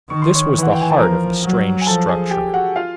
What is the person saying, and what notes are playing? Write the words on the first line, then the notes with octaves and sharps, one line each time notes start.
This was the heart of the strange structure.
D#3 C#6
C6
C#5 C#6
E3
F#5
G5
G#5
A5
F3 A#4 A#5
F#3
G#5
F3 A4 A5
G#4 G#5
G4 G5
F#4 F#5
F4 F5